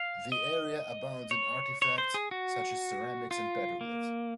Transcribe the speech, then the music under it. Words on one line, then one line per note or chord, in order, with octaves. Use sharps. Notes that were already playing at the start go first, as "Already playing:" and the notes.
The area abounds in artifacts such as ceramics and petroglyphs.
Already playing: F5
D#5
C#5
C#5
C5
G#4
F#4
F4
A#3